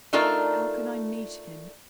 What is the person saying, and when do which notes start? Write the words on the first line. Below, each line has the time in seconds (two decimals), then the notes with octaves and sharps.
How can I meet him?
0.13 A3 D4 D#4 F4 A4 A#4